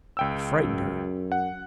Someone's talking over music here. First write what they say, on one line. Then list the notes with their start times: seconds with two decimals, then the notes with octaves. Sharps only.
It frightened her.
0.17 C#2 G5 E6
0.60 F#2
1.32 F#5